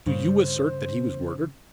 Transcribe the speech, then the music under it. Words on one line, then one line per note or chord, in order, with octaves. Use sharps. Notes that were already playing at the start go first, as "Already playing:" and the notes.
"Do you assert that he was murdered?"
G2 C#3 C5